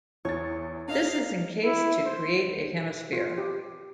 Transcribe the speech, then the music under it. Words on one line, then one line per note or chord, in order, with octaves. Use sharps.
This is encased to create a hemisphere.
E2 C#5 A6
D4 D#4 F5 A#5
E4
C5
F4
G4